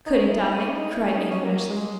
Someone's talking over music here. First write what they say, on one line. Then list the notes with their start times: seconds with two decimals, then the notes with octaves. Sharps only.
"Couldn't I?" cried Anne rashly.
0.06 D#4
0.14 C#4
0.27 E4
0.40 D#4
0.54 C#4
0.72 D#4
0.92 E4
1.04 C#4
1.17 D#4
1.31 C#4
1.43 A#3
1.56 A#3
1.69 G#3